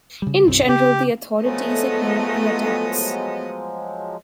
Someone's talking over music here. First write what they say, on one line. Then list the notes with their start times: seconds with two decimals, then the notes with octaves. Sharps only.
In general the authorities ignored the attacks.
0.22 C#3 G3
0.47 B1 F#2 C4
0.68 C#3 G4
1.43 F3 F#3 G#3 A3 B3 D#5